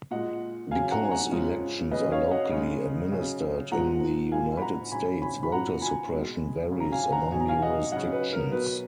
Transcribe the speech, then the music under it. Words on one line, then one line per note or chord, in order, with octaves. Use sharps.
Because elections are locally administered in the United States, voter suppression varies among jurisdictions.
A#2 G#3 D#5 F#5
C#3 F#3 F5 G#5
F#5 A#5
G#5
F#5 A#5
C#3 F3 G#3
C#3 F#3 B4 D#5
C#5 F5
D#5 F#5
C#3 G#3
C#3 F#3
A#2 F3 G#3 F#5 A#5
A#2 G#3 F5 G#5
B5
F#5 A#5
C#3 F#3 G#5 B5
G#5 B5
B5
A#2 F#3 F#5 A#5
G#5 B5
B2 G#3
C#3 F#3
A#5
F5 G#5
G#5
F#5 A#5
B2 F#3 G#5 A#5
F5 G#5
D#5 F#5
C#3 F#3 D#5 F#5
B4
A#4
B2 F#3 B4